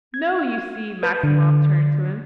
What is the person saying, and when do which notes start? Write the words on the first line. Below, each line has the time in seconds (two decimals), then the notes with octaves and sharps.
"No, you see," Maximov turned to him.
0.14 G#6
1.03 B4
1.24 D3